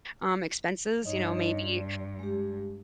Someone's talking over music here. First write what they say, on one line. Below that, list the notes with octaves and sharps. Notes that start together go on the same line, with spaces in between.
um, expenses, you know, maybe,
G2 D#4 C#5 D#5
D5
G#3 G4